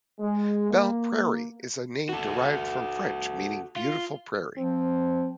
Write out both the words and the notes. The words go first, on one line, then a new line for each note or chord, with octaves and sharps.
Belle Prairie is a name derived from French meaning "beautiful prairie".
G#3
A#3
F#4 A4
F4
F3 C4